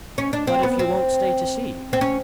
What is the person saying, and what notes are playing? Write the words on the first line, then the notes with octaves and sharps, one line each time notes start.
"But if you won't stay to see!"
C#4
D4
C4
B3
C4
C4
C#4